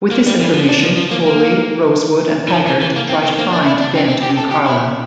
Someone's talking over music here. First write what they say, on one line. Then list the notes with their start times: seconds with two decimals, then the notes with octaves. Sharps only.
With this information, Foley, Rosewood, and Taggart try to find Dent and Karla.
0.11 A#3
0.27 G3
0.41 E3
0.54 F3
0.69 D4
0.83 F3
0.97 F3
1.11 A#3
1.26 A#3
2.48 E3
2.53 F3
2.67 E3
2.81 E3
2.96 A#3
3.09 C4
3.23 C4
3.38 A#3
3.53 D4
3.66 E4
3.80 D4
3.95 C4
4.08 C4
4.23 G4
4.37 A4
4.51 G4
4.66 E4